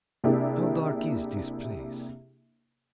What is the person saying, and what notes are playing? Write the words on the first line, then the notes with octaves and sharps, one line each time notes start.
How dark is this place!
C3 A#3 D4 E4 G4 G#4